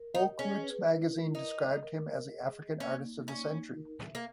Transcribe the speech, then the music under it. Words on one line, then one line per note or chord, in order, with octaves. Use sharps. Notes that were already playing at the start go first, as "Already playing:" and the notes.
"Folk Roots" magazine described him as the African Artist of the Century.
Already playing: A#4
D#4 D#5
C#4 G#4
B4
E4
A#4
D#4 B4
D#5
A#4
D#5
G#4
D#5
A#3 C#4
D#4
A#3 C#4
D#4
A#4
E5
A#3